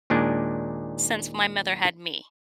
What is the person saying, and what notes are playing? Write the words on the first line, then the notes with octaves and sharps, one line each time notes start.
since my mother had me,
D#2 A#2 G#3 D4